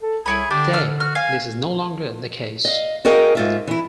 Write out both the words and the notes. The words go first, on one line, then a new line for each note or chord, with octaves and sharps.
Today, this is no longer the case.
A4
C2 E4 G#4 C#5 B5
D3 D4 G4
E6 F6
F#4 F6
F5 G#5
D#5 F5
F#4 G#4 A#4 D#5 F5 G5
G#2 F4 E5
E3 E4